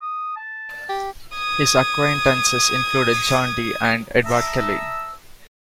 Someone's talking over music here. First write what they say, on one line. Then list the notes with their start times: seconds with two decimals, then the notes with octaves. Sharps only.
His acquaintances included John Dee and Edward Kelley.
0.02 D#6
0.36 A5
0.89 G4
1.35 D#6 G#6
4.24 E5 A5 A#5 D#6 E6